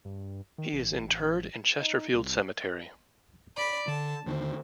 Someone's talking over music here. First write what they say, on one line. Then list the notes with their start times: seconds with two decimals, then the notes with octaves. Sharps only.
He is interred in Chesterfield Cemetery.
0.05 G2
0.58 D#3
0.73 A1
1.80 D#4
2.14 C2
3.56 D5 B5
3.88 D3 A5
4.26 D#2 D3 D#3 C4